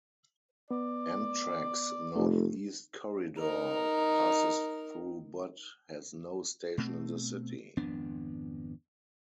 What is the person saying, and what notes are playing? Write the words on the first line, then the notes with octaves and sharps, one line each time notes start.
Amtrak's Northeast Corridor passes through but has no station in the city.
B3 D5
F1 A3
D#4 A#4
B2 A3 C4
G#1 F2 B3 D4